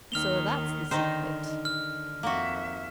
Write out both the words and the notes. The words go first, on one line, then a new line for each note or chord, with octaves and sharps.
So that's the secret.
D#2 D#3 F6 F7 G7
D3 D#3 D#4 C5
F6
F2 A#3 F#4 E5